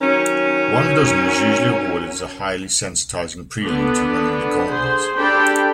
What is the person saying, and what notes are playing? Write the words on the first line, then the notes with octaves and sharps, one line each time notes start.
One dozen was usually awarded as a highly sensitizing prelude to running the gauntlet.
D#3 F#3 C#4
D3 B3 D4
G#4 C5
D4 G4 A4 D5 G5 B5